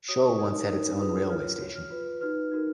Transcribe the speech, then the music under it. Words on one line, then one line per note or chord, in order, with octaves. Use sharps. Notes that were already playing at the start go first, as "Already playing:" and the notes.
Schull once had its own railway station.
F#4 C#5 D#6
C#6
D#4 A#4 C#5 D#6
D#4 A#4 C#5
F4 G#4 B4 D#6
F4 A#4 C#5 F6
F#4 C#5
F6
F4 B4
D#4 F#4 B4 F6
D#4 F#4 A#4